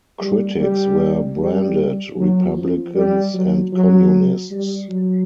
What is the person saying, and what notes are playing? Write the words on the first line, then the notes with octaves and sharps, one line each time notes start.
Critics were branded republicans and communists.
G3
G3
G3
F#3
F3
G3
F#3
F#3
G3
F#3